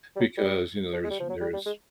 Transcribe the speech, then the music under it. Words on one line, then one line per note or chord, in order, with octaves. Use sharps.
because, you know, there is there is
G3
F#3
G3
F3
G#3
G3
F3
F#3
G3
G3
G#3